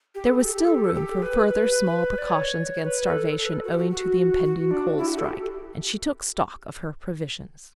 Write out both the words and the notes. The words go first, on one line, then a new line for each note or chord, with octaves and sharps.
There was still room for further small precautions against starvation owing to the impending coal strike, and she took stock of her provisions.
G4
A4
G4
A4
G4
A4
G4
A4
G4
B4
D5
C#5
B4
A4
A4
B4
A4
F#4
G4
F#4
F#4
F#4
D4
F#4
E4
G4
F#4
A4
G4